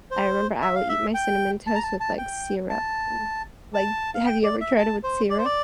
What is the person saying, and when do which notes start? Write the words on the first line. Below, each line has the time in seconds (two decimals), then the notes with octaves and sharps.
I remember I would eat my cinnamon toast with, like, syrup, and, like, have you ever tried it with syrup?
0.11 C5
0.62 E5
0.75 F5
0.89 E5
1.14 G5
1.67 A5
1.75 A#5
1.83 A5
2.00 A5
2.18 G5
2.69 A5
3.74 A5
4.14 F5
4.26 G5
4.44 D5
4.61 E5
4.78 A5
5.04 C5
5.30 D5
5.38 C5
5.45 D5